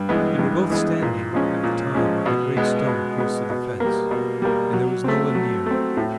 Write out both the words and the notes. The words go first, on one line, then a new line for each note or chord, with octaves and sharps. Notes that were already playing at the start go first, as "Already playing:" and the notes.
They were both standing at the time by the great stone close to the fence, and there was no one near.
Already playing: G2
E3 G#3 B3
G2
E3 G#3 B3
A#2
F3 G#3 C#4
A#2
F3 G#3 C#4
B2
G#3 B3
B2
G#3 B3
B2
G3 A#3
B2
G3 A#3
F#3
A3 C4
F#3
A3 C4
A2